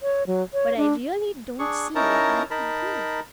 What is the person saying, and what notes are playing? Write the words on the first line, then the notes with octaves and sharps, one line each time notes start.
But I really don't see what I could do.
C#5
F#3
C#5
D4
D4 G#4 C#6
C#4 D#4 E4 A#4 A5 A#5
D#4 A#4 A5 B5